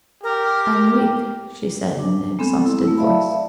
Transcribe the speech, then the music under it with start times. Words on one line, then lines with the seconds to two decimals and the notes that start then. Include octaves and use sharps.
"I'm weak...." she said in an exhausted voice.
0.23 G4 A#4
1.99 D4
2.39 G#3 B3 C4 A4
2.63 C4 E4
2.84 A3 E4
2.97 D5 E5 F5 A5 B5